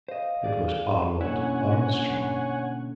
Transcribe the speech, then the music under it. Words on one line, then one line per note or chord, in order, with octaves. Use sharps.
It was Arnold Armstrong.
C5 D#5 F5
G#4 D5
B2 D3 A#3 C#4 E4 C#5 F#5 G#5